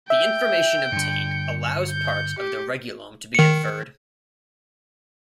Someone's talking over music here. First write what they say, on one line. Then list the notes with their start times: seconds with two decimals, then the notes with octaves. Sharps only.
The information obtained allows parts of the regulome to be inferred.
0.10 E5 G5
0.92 G2 D3 C#7
1.90 G6
2.39 G4
3.35 D#3 C#7